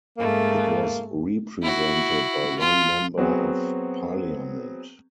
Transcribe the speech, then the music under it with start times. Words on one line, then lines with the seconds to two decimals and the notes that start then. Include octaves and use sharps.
It was represented by one Member of Parliament.
0.18 G#2 C#3 A3 A#3
1.62 E4 F#4
2.59 F4
3.18 F#3 B3 C4 F#4 G#4